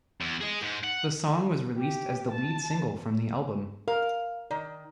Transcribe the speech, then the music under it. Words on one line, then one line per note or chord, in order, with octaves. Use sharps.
The song was released as the lead single from the album.
E2
G#4 D#5
G#2
F#5
G4
A5
A#4 F5
D#3 D5